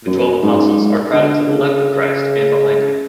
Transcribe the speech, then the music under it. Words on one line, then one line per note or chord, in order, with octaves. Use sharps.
The Twelve Apostles are crowded to the left of Christ and behind him.
F#2
G#2
D3
C#3